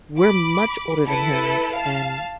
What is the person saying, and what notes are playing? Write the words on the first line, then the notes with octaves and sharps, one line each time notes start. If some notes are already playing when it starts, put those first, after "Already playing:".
we're much older than him, and
B5 D6
E4 A4 B4
F5 A5